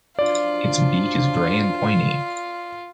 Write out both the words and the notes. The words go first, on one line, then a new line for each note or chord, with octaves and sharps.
Its beak is grey and pointy.
F3 F#3 D4 F4 D5